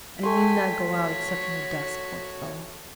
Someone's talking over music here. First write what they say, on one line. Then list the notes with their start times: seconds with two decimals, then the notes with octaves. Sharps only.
'And he need not go out, except in the dusk, poor fellow!'
0.23 A3 G5 G#5 C6 B6
0.83 F#4 C#5